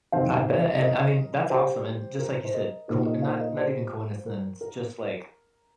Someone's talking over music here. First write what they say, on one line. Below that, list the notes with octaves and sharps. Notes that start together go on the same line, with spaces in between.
I bet. And, I mean, that's awesome. And just like you said, coin not not even coincidence, just, like,
F2 C3 D#3 C4 C5 F5
A#4 D#5
G4 C5
A#4
C5
A#4 D#5
A#2 A#3 D#4 G4 C5
A#4 D#5
C5 F5
A#4 D#5
G4 C5
A#4
A#4